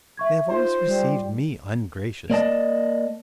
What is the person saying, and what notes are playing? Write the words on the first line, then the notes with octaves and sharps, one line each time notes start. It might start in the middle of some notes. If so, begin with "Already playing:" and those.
They have always received me ungraciously.
E5 C#6 G#6
D#4 F4 C5 C6
G3
A#3 D5 D#5 A5